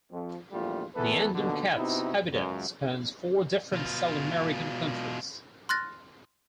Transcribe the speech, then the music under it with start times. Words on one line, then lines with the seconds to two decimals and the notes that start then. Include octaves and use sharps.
The Andean cat's habitat spans four different South American countries.
0.11 F2
0.51 A#1 E2 G3 A3 F4
0.95 E2 E3 A4 B4
1.33 D#2 B2 D3
1.76 C3 B3 D#4 E4 F#4
2.32 C#2 F#2
3.73 B2 F4
5.69 C6 F6 F#6 A6 A#6